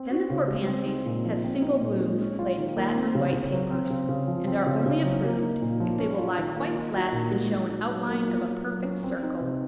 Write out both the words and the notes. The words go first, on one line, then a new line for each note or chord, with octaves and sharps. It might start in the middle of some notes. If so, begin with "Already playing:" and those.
Then the poor Pansies have single blooms laid flat on white papers, and are only approved if they will lie quite flat and show an outline of a perfect circle.
Already playing: C4
F#4
C#3
G#3
C4
D#4
A#2
F3
C4
D#4
A#2
G#3
C#4
F4
D#3
A#3
C4
C#3
C#3
F#3
C4
C#3
C#3
F3
C4
C#3
C#3
F#3
A#3
D#4
A#2
F3
C#4
F4
D#3
A#3
D#4
F#4
A#2
G#3
D#4
F#4
F#3
A#3
F4
F#3
F#3
C#4
C4
D#4
C3